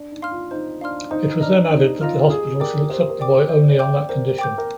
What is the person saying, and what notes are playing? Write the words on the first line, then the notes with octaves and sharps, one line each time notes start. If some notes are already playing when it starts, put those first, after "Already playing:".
It was then added that the hospital shall accept the boy only on that condition.
Already playing: D4
D#4
F5 C6 F6
F4
D#4 C5
D4 F5 C6 F6
D#4 C5
D4 D#5 A#5 F6
D#4 C5
F4 D#5 A#5 F6
G4 G#4
A#4 D5 G5 D6
G4 C5
A#4
D5 G5 D6
C5 D5
D5
G5 D6 G6
D5
A#4 C5
G5 D6 G6
A#4